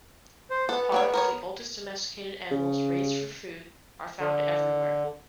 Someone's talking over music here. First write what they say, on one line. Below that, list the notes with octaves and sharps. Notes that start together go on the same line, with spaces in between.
Hogs, the oldest domesticated animals raised for food, are found everywhere.
C5
B3 A4 F#5
A#3 D4 C#5
A#4 C5 C#5
C#3
D3